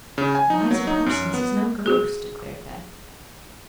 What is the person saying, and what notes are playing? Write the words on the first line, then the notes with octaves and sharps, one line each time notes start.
"Eliza Parsons is no ghost," declared Beth.
C#3
G#5
D#4
F#3
D#4
F#2
B3
F#4 G#4